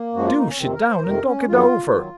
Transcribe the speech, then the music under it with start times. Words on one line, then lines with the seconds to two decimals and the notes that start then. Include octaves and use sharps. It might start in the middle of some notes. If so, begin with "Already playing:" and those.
Do sit down and talk it over.
Already playing: A#3
0.13 F#2 F3 G#3 F#4
0.27 F4
0.37 D#4
0.48 C#4
0.58 F2 C3 D#3 C4
0.74 A#4
0.89 C5
1.03 F2 C3 D#3 A#4
1.25 C#4
1.49 F2 D#3 F#3 F4
1.93 D#3 F#3